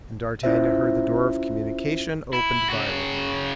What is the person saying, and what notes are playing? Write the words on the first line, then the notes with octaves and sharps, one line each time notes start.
And d'Artagnan heard the door of communication opened violently.
C#4 E4 F4 C5 E5
E4
C#3 F#4